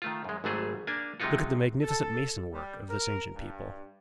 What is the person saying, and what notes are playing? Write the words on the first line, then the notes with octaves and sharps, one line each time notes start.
Look at the magnificent mason-work of this ancient people!
D#3 A3 F4
F#2 G#3
G#1 G#2 F#3 G3 A3 G#4
A#3 D4 G#5
C3 F#3 G#3 D#4 F4 F#4
A4
G3
A#4
G2